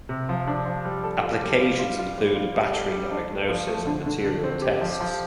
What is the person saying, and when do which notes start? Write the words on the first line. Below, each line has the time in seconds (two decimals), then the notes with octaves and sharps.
Applications include battery diagnosis and material tests.
0.09 C3
0.29 F3
0.47 D4
0.66 F3
0.85 G3
1.04 A4
1.23 F4
1.42 G3
1.60 F4
1.79 F4
1.99 F4
2.18 G3
2.36 F4
2.54 G3
2.73 A4
2.92 G3
3.11 D4
3.30 A3
3.49 F3
3.68 A3
3.87 D3
4.06 D3
4.24 D3
4.44 C4
4.62 G4
4.81 F3
5.01 F3